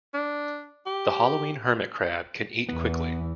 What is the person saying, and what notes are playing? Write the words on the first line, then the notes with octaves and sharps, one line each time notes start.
The halloween hermit crab can eat quickly.
D4
G4
E2 E3 B3